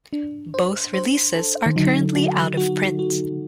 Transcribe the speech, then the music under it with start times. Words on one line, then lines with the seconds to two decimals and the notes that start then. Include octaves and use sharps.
Both releases are currently out of print.
0.13 D4
0.54 C5
0.94 C5
1.36 A4
1.66 D#3
1.76 D3 F#3 D#4
2.16 F#4
2.57 F#4
2.99 F#4